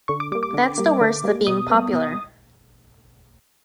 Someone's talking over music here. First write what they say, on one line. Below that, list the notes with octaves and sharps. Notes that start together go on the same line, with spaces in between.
That's the worst of being popular.
D3 C#6
D6
G3 A#3 D6
D6
D3
G3 A#3
D3
G3 A#3
B2 D#6
G3 B3
B2